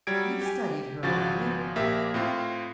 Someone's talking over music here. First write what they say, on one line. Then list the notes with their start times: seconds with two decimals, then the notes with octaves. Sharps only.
You've studied her, have you?
0.07 F#3 G3 G#6 D7
0.41 G4 G#5
1.03 G#1 C#3 F3 F#4 A6
1.76 A#1 A#3 G4 E5
2.14 A2 C4 F4